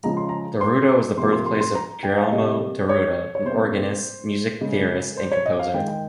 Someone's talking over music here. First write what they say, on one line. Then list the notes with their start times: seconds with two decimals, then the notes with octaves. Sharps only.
Deruta was the birthplace of Girolamo Diruta, an organist, music theorist, and composer.
0.03 C#3 F3 G#3 A#5
0.17 C6
0.29 A#5
0.61 C6
1.18 C3 F3 A#3 C6
1.33 C6
1.46 C6
1.60 C6
1.75 A#5
2.03 G5
2.17 F5
2.32 C3 G3 A#3 D#5
2.89 C#5
3.35 C#5
3.46 C3 G3 A#3 C5
4.61 C#3 G#3
5.17 C5
5.32 C#5
5.46 D#5
5.59 F5
5.74 D#3 G#3 G5
5.88 G5